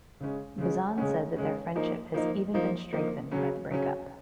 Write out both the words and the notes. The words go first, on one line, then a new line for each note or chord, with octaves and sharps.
Bazan said that their friendship has even been strengthened by the breakup.
C#3 G#3 C#4
C#3 G#3 C#4
C#3 G#3 C#4
C#3 G#3 C#4
F3 A#3 D#4
F3 A#3 D#4
F3 A#3 D#4
F3 A#3 D#4
C#3 F#3 C#4
C#3 F#3 C#4